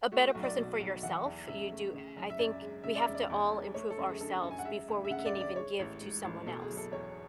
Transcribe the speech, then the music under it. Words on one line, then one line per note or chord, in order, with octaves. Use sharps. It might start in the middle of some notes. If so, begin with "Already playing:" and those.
a better person for yourself. You do I I think, we have to all improve ourselves, before we can even give to someone else.
A3 F#4
F#4
B1
D5
B2
B1
E3 F#5
E2
C#3 E5
A3
C#3
F#1
E5
F#2 D5
G#3
C#3 E5
D5
E5
E1
D5
E2
G#3
A3 C#5
A4
F#2
G#4
D3 A4
F#2
G#5
F#5
G#3 E5
D2
E5
C#3 F#5
E5
D5
D2
D5
G#3 C#5
A1
G#2
A1
B2 A4
G#4
F#1
A4
E2 C#5